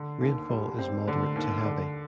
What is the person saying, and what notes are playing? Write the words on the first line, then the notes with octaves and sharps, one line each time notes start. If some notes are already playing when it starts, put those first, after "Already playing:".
Rainfall is moderate to heavy.
Already playing: D3
D#2
G3
C4
D3
D#2
D3